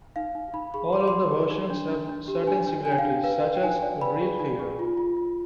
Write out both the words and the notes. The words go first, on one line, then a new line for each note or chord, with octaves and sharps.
All of the versions have certain similarities, such as the reel figure.
D#4 F5
D#4
D#4 B5
G#4 B5
D5 C6
D6
C6
D5
G#4
D#4
D4
D4
D4
G4
D4 G#5
D4
D4 G#5
G5
F5
D4
B4 F5
B4
G5
D#4 G#5
D5
B4 B5
G#4
D#4
G#4
F4
F4
F4